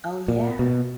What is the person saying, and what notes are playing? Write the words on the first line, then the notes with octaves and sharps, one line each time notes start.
Oh, yeah.
A#2
B2